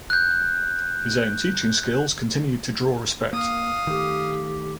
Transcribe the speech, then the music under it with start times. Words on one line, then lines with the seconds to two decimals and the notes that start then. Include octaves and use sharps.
His own teaching skills continued to draw respect.
0.10 F#6 G6
3.33 A#3 F5 D#6
3.87 D#3 A3 G4